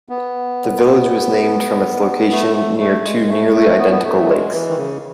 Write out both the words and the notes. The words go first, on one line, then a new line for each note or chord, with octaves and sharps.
The village was named from its location near two nearly identical lakes.
B3
A3
A3
A3
G#3
A3
A3
B3
B3
A3
F#3
G#3
E3
D#3
C#3